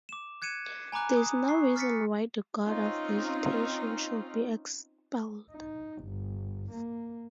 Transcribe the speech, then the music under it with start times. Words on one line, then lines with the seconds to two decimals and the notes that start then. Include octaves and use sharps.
There is no reason why the god of vegetation should be expelled.
0.09 D6 E7
0.42 F#6 G#6 C#7 D#7 E7
0.92 G#5 A#5 B5 D6 F#6
1.17 D#6
1.49 C#6 C7
1.76 F6 A6 B6 C#7
2.66 C4 C#4 D#4 F4
5.51 D#4
6.03 G1
6.72 A#3